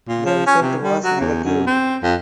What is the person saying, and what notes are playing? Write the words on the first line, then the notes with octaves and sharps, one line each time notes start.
The result was negative.
A#2
F3
C#4
C3
G3
F#3
E2
F#2
C4
F2